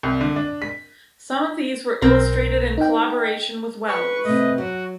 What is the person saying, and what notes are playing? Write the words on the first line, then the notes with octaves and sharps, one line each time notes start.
Some of these were illustrated in collaboration with Wells.
C2
D3
D4
B6
B1 C4 A#4 C5
D#4 G5
B4 C#6
C3 A3 D#5
F#3 F#4